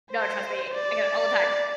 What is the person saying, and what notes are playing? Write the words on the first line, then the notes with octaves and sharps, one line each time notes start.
No, trust me, I get it all the time,
C5
D5